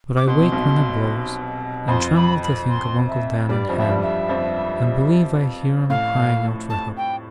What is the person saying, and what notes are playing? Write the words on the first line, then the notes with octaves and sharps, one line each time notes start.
'But I wake when it blows, and tremble to think of Uncle Dan and Ham and believe I hear 'em crying out for help.
D6
B2 C6
C3
B1 B2
F2 F3 C6
B5
B5
C6
E5
G2 G3 D5
F2 F3
E5
F3
G2 G3
E5
F2 F3
A2 F5
A5
G5